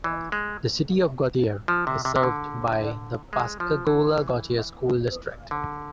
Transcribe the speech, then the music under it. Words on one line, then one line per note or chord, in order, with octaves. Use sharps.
The City of Gautier is served by the Pascagoula-Gautier School District.
E3
G#3
F3
C3
C3
C3
D3
G#3
F3
E3
D3